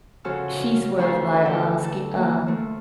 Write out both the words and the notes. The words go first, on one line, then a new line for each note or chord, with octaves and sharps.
she swears by, uh, ski uh,
C#3 F3 C#4 F#4 A4 F6
D2 C#4 E4 B4 C5 C#6
D3 G5 E6
A4
A#3
F3 A3